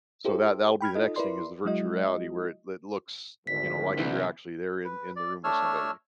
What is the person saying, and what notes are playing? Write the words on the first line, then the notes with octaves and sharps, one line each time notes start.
So, that that'll be the next thing, is the virtual reality, where it it looks, you know, like you're actually there in in the room with somebody.
E4 G4 A4 C5
G5 B5 F6 G#6
D#4 F4 A4 D#5
E4 A#4 B4 D5 C6
F#3 G#3 E4 F#4 D#5
G#1 D2 B6
C2 C#3 E3 B3
B4
D5
A3 D4 C#5 E6 F6